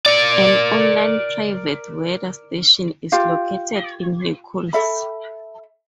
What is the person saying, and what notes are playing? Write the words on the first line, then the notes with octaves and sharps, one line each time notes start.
An online private weather station is located in Nicholls.
A#4 D5
F4 G4 F5
A4 E5 B5